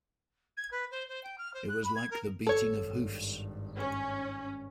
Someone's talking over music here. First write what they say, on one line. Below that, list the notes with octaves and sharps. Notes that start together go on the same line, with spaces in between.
It was like the beating of hoofs.
G#6
B4
C5
C5
G5
F6
C5
F#6
B5
G#6
A#4
G#1 G2 A4 C#5
C#4